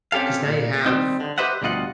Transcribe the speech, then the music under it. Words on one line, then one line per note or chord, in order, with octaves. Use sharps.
'Cause now you have
C4 C#4 G4 A4 F5
A#2
D#3 G3 C4 D#4
D3
G4 B4 C5 D#5 E5 F#5
D2 B2 G3 F4 D#5 F#5